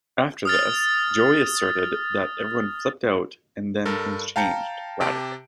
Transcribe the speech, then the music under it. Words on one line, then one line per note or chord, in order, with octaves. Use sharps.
After this, Joey asserted that everyone flipped out and then things changed radically.
D#6 F6 A6
G2 A4 A#4
F5 G5 A5 A#5 G6 C#7
C3 G4 A5 D7